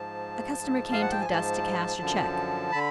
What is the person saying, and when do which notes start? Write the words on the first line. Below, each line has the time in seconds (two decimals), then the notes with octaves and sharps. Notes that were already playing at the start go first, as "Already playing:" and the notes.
A customer came to the desk to cash a cheque.
Already playing: G#2 F3 A5
0.59 G#2 F3
0.92 F5
1.01 F#5
1.11 G5
1.20 G#5
1.29 G#2 F3 A5
2.00 F#2 D3 F3
2.72 D3 B5